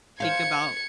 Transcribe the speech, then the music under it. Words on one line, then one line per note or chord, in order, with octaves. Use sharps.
think about“
C5 F5 G#6 C#7